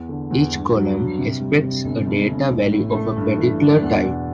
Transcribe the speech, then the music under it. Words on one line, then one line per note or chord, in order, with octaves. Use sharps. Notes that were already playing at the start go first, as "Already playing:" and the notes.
Each column expects a data value of a particular type.
Already playing: E2
D3
E2
G2
F#3
G2
C3
G3
C3
G1
G2
G1
A1
A2
A3
G2
E3
D4
E2
B2